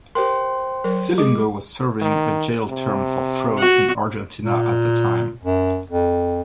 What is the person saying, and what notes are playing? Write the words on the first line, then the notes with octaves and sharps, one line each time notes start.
Scilingo was serving a jail term for fraud in Argentina at the time.
G4 A#4 C5 G5 C6
F#3 A#4
G#3 G4 G#4 D6
D#3
C3
F#4
A#2
F#2
F2